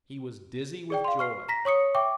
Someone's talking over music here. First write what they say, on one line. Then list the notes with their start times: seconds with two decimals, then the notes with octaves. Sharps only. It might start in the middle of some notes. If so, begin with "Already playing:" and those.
He was dizzy with joy.
0.90 G#4 D5 G5
1.04 F5 C6
1.19 C#6 F6 C7
1.48 A#5 A#6 B6
1.65 C#5 C#6 D#6 C#7
1.95 E5 G5 C#6 D6